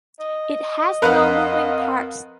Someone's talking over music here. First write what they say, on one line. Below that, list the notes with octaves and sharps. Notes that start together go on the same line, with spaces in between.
It has no moving parts.
D#5
F2 A#4 B4 F5 F#5 F#6